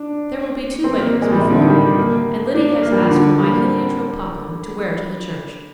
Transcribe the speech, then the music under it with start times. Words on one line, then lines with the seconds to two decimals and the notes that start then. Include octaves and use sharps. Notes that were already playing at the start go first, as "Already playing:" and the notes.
There will be two weddings before long, and Liddy has asked for my heliotrope poplin to wear to the church.
Already playing: D4
0.84 C4
0.99 A#3
1.12 A#3
1.22 G#3
1.31 G3
1.40 C3
1.50 D3
1.60 D#3
1.69 G3
1.98 A#3
2.54 D4
2.82 A#3
2.92 G3
3.02 F3
3.11 D3
3.39 G3
3.47 A#3